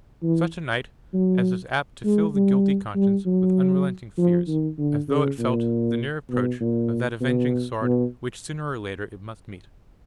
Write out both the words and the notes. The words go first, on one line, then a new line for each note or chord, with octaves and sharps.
Such a night as is apt to fill the guilty conscience with unresting fears, as though it felt the near approach of that avenging sword which sooner or later it must meet.
E3
F#3
G#3
G3
G3
F#3
F3
D#3
D3
C#3
A#2
B2
A#2
B2
B2